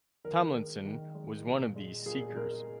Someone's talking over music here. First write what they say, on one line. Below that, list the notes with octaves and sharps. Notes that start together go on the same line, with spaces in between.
Tomlinson was one of these seekers.
D#3 A#4
G#3
D#3
G#3
A#2
G#3
A#2 G#4
G#4
G#3 A#4